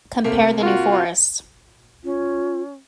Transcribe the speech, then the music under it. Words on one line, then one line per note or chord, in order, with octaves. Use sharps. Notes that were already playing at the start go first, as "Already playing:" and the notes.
Compare the New Forest.
C3 A3 A#3
F4 F#4
C#4 F4